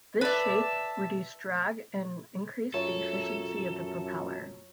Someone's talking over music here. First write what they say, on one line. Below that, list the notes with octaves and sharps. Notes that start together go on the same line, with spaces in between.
This shape reduced drag and increased the efficiency of the propeller.
B4 D5 E5 A5
F#2 F4 A4 C#5 E5 A#5